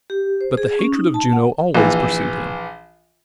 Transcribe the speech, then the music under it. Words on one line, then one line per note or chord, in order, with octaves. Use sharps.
But the hatred of Juno always pursued him.
G4
C5
G#4
C#4
D#4
A5
F#5
A#1 E3